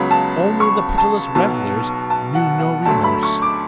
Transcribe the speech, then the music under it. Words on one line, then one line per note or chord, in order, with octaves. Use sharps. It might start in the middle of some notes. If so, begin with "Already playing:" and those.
Only the pitiless revelers knew no remorse.
Already playing: C#2 C#3 F#3 B3 B5
A5
C#6
A5
B1 B2 F#3 B3 A5
A5
F#5
F#5
D2 D3 F#3 A3 A5
B5
C#6
D6